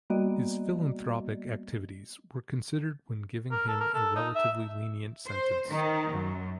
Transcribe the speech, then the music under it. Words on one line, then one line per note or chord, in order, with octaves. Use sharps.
His philanthropic activities were considered when giving him a relatively lenient sentence.
G3 A#3 B3 F#4 D5 D#5
A#4
A4
A#4
A4
D#4
E5
C5
D#3
F#2